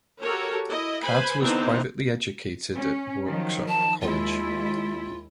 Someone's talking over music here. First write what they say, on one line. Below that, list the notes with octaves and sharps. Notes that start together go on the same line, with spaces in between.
Carter was privately educated at Worksop College.
F#4 G4 A4 A#4 C#5
E4 D#5
B4 C5 G#5 B5
D3 E3 B3 C4 D#4
C#4
D#3 F3 F#3
A5
D#2 G#3 E4 F4